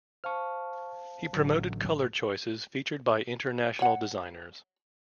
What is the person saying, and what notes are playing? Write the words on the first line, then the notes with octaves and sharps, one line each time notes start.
He promoted colour choices featured by international designers.
C5 F5 A5 C#6 F6
A1 D3 F#3
C#5 F#5